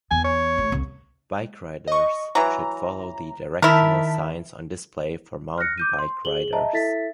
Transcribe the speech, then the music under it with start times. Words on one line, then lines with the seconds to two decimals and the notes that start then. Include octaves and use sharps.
Bike riders should follow the directional signs on display for mountain bike riders.
0.11 E2 G#5
0.25 C#5
0.58 A1 A2
0.72 C2
1.88 D#5 C#6
2.35 E3 F#3 A#5
3.62 D#3 E4 A#4 A5 B6
5.58 F6 F#6 A#6 C#7
5.78 D6 G6 D#7
5.99 C6
6.25 G#4 F#7 G7
6.53 D#5 E5 A5 A#5
6.73 E4 A4 E5 A6 B6